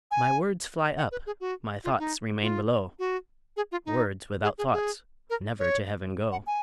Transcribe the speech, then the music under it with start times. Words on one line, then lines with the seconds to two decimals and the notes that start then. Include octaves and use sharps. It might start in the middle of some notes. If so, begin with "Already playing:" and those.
My words fly up, my thoughts remain below: Words without thoughts never to heaven go.
0.11 G#5
0.97 F#5
1.12 B4
1.27 G#4
1.41 F#4
1.84 F4
1.99 D#4
2.42 F4
2.99 F#4
3.57 G#4
3.72 F4
3.86 D#4
4.43 G#4
4.58 G#4
4.73 G#4
5.30 A#4
5.59 C#5
6.32 F#5
6.47 G#5